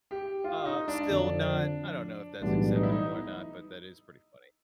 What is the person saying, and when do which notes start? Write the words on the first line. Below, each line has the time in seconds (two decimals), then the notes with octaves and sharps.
Uh, still not I don't know if that's acceptable or not, but that is pretty funny.
0.11 G4
0.44 F4
0.66 D#4
0.88 D4
1.09 F2 D3 F3
2.42 B1 A2 E3 G3 B3 D4
2.75 D#4
2.83 E4
2.92 D#4